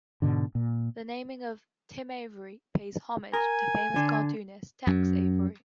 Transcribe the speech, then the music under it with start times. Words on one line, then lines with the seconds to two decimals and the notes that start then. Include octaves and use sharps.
The naming of "Tim Avery" pays homage to famous cartoonist Tex Avery.
0.22 G#2 B2 D3
0.55 A#2
3.33 A#4 G#5
3.96 D3
4.87 F#2